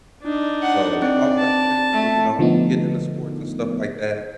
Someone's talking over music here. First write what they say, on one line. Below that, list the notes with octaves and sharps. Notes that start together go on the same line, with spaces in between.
So I was like, "Okay, cool," you know? Getting into sports and stuff like that,
D4 D#4
F#5
C4 D5
A5
A3
D3 F3 A3 B3 D#4